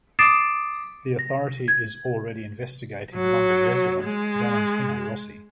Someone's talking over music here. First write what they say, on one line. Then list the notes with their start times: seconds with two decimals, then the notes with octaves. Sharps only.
The authority is already investigating London resident Valentino Rossi.
0.19 D6 D#6 A6 C7 D7 E7
1.19 A#6
1.68 G#6
3.15 F#3
4.04 G#3